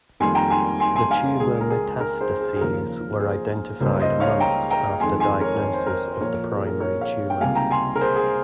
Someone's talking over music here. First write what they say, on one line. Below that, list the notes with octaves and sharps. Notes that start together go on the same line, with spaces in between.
The Tumour metastases were identified months after diagnosis of the primary tumour.
F2 D#3 G3 A#3 G#5 C6
G5 A#5
G#5 C6
G#5 C6
G#5 C6
F5 G#5
C#2 C#3 G#3 G#4
A#4
G#4
A#4
G#4 C5
G#4
G#4
D#2 C#3 F3 A#3 A#4
G#4 C5
C#2 C#3 G3 A#3 G#4 C5
C5 D#5
C#5 F5
G5 A#5
G5 A#5
F2 D#3 G#3 G#5 C6
G#5 C6
A#4 C#5
C#5
C5
A#4 C#5
C5
A#2 F3 A#3 A#4 C#5
G#4
A#4
A#4 C#5
C#5 F5
G5
C#2 C3 G3 A#3 F5 G#5
G5 A#5
G#5 C6
A#4
G#4 C5
G#4